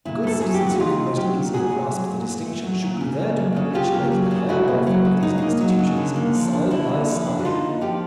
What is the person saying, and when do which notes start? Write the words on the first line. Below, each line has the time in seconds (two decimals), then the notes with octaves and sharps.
The good citizens who can most easily grasp the distinction should be there to perpetuate the higher welfare of these institutions side by side.
0.05 A#2 E4
0.24 A3 A4
0.41 F#3 G#4
0.54 G4
0.61 A#2
0.67 F#4
0.79 A#2 D#4 F4
0.99 A3
1.17 F#3 F4 G4
1.35 A#2
1.54 A#2 F#4 G#4
1.72 A3
1.91 F#3
2.09 A#2
2.27 A#2
2.45 A3
2.64 F#3
2.82 A#2
3.01 C#3
3.19 A#3
3.38 F#3
3.56 C#3
3.75 C#3 F4 G4
3.94 A#3
4.12 F#3
4.31 C#3
4.49 C#3 E4 F#4
4.68 A#3
4.86 F#3
5.05 C#3
5.23 C#3 D#4
5.38 A#3 D#4
5.60 F#3
5.79 C#3
5.97 D3
6.16 A#3
6.34 F3
6.53 D4
6.71 D3 E4
6.89 A#3
7.09 F3
7.26 D4
7.39 F#4
7.45 D3 D#4 F4
7.63 A#3
7.81 F3 F4 G4